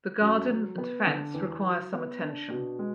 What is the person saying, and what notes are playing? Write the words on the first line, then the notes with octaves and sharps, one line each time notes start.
The garden and fence require some attention.
F#2
F#3
B3
D3
E2
F#3
B3
D4
B2
G#3